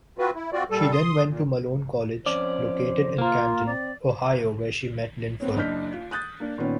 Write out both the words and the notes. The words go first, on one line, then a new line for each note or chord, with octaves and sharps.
She then went to Malone College, located in Canton, Ohio, where she met Linford.
C4 F4 F#4 B4
E4
C4 F4 F#4 D5
A#2 G3 A4
C6 D#6
A#2
F2 C#4 C5 D5
A#3 F4 A#4
C4 D5
B3 C4 C#5
F#1 D4 D#5 F6 G6 B6
F4
D#6 F#6 G6 A6
A#3 D4 D5
A#2 D#3 B3 C#4